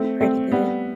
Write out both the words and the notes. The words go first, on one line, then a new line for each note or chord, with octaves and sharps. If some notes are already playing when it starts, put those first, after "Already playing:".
M pretty good.
Already playing: A3 C4
A3 C4
G3 B3